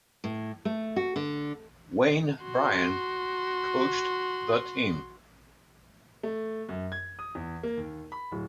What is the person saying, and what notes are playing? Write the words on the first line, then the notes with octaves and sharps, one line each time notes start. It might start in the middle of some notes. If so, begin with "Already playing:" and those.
Wayne Bryan coached the team.
A2
A3
F#4
D3
F#4 C6
A3
F#2
G#6
D#6
E2
A#3
D#2
B5
D1